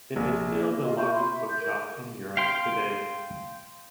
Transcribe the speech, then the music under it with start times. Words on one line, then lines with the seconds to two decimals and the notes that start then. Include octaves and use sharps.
It is still the largest bookshop in Europe today.
0.16 A#1
0.83 F4 G4 D#5
0.98 C#6 G6
1.13 B5 C6
1.32 E5
1.49 G6
1.60 A#4
2.37 F5 G5 C6